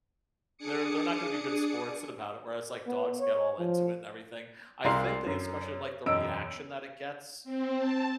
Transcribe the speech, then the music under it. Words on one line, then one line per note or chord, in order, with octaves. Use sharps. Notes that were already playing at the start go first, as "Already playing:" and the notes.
they're they're not gonna be good sports about it, whereas, like, dogs get all into it and everything, I think they especially like the reaction that it gets,
D4 G#4 D6 D#6 C#7
B3
C#5
F3
C2 D5 F5 A#5 C6 C7
F#2
E1 F#2 D#5 E6 D7
C4
A5